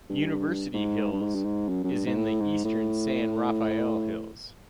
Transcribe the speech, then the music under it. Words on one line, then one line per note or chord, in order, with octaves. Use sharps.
University Hills is in the eastern San Rafael Hills.
G2
G#2
G2
G#2
G2
G#2
F#2
F#2
G2
G#2
A2
G#2
A2